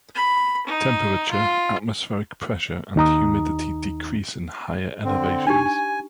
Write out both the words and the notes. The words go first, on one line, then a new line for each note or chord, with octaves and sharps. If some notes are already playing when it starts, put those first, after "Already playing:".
Temperature, atmospheric pressure and humidity decrease in higher elevations.
B5
D#4
F4
D#2 D#4 A#5 D#6
D3 C4
D4 D#4 G4 G#5